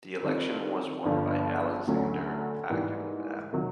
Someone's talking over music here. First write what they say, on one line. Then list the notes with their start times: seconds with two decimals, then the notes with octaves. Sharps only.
The election was won by Alexander Ankvab.
0.22 D#3 G3 C4 F4 A4
1.05 G1 G2 D3 F3
1.87 D2 D3 F#3 A3 C#4
2.70 G#2 E3 G3 A#3
3.52 C3 D#3 F#3